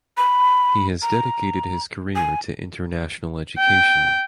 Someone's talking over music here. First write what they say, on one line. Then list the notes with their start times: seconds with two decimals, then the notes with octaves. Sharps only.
He has dedicated his career to international education.
0.17 B5
1.02 A#5
2.15 G#5
3.59 G5